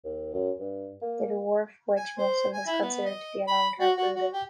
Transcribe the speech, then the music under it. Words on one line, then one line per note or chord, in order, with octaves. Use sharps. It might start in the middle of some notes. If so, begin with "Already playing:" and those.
The dwarf wedgemussel is considered to be a long-term brooder.
D#2
F#2
G2
A#3
G#5
C5
G#5
E4
B3
D#5
B5
F#4
F#4
F#4
G4